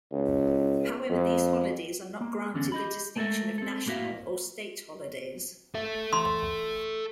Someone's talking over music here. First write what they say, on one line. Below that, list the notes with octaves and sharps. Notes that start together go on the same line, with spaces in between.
However, these holidays are not granted the distinction of national or state holidays.
C#2
F2
A#3
E2 D3 C#4
G4 D#5 B5
G#3 A3 B3 A4 A#4 E5
C4 A4
A2 A#3 F#4 E5 F5
A4 E5
C6